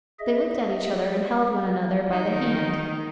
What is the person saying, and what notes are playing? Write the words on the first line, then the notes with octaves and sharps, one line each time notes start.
They looked at each other and held one another by the hand.
G#4 D#5 E5
D#3 D#4